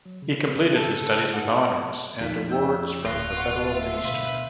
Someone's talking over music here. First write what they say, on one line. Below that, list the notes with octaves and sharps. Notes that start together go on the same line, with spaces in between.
He completed his studies with honours and awards from the Federal Minister.
F#3
C#3
A4
D#4 B4 F#5 G#5
F2 D3 F3 D#4 B6
D5 E6 G6
D1 F4 C#6 F#6 A#6
F#5 C6 C#7
E5
B2 D3 B4 F5 C6